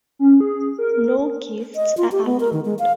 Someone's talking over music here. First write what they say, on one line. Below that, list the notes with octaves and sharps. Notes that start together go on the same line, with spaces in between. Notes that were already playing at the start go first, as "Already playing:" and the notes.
No gifts are allowed.
C#4
G#4
A#4
D#5
F4
G4
B3
A#4
D#3
G#3
F5